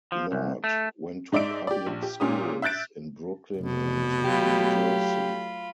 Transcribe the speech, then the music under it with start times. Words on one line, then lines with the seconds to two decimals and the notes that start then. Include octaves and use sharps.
Lord went to public schools in Brooklyn and New Jersey.
0.12 F3
0.32 C2
0.64 A3
1.32 G#2 D#4 D5 E5 D7
1.67 G4 D5
1.86 A#1
2.02 G4
2.20 A#2 C#4 G4 D#6
2.62 E5 F#6 G6 A6 D7
3.57 F1 B2
4.24 F#3 A3 F4 G4 B5